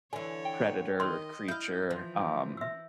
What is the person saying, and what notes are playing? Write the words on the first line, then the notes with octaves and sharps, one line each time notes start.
predator or creature, um,
D3 E3 C#5 G#5
G5
D#3 D#5 C6
E4 F5 G6
E3 F3
E5 E6